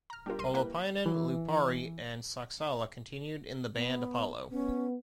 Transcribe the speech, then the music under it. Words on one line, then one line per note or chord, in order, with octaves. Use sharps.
Holopainen, Lupari and Saksala continued in the band Apollo.
A#5 F6
G3 D4 F4 G4 A#4
B1 C6 D#7
A#3 E4 B4
E3
B3
B3 C#4